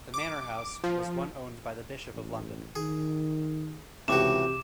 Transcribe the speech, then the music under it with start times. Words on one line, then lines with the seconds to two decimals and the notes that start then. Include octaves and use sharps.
The manor house was one owned by the Bishop of London.
0.14 D6
0.84 F3
2.13 A1
2.76 D#3 G#4
4.08 C#2 A2 C3 E3 F#4 G4 D6 E7